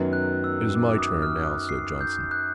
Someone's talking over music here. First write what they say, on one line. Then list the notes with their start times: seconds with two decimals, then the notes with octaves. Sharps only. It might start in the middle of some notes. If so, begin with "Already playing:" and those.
"It is my turn now," said Johnson.
Already playing: F#2 D#3 F#3 B3
0.13 F#6
0.44 E6
0.75 D6
0.89 D6
0.98 D#6
1.22 F6
1.45 F#6
1.69 C7
2.01 G6
2.31 F#6